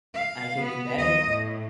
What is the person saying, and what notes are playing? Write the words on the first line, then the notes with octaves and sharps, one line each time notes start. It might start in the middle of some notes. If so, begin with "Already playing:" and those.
I can do better,
F5
B3
D#2 D#5
A2